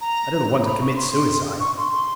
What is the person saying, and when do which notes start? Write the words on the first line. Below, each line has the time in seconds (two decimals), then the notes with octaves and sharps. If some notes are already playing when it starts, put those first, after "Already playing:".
"I do not want to commit suicide."
0.01 A#5
0.65 B5
0.81 C#6
0.96 C6
1.60 C#6
1.77 C6